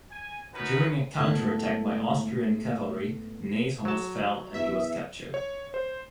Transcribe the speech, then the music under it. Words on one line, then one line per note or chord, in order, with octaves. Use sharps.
During a counterattack by Austrian cavalry Ney's horse fell and he was captured.
G#5
B3 C#4 D#4 F#4 A#4 B4
G#2 A3 B3 E4 A5
F#3 A5
E2 E5
C#5
C5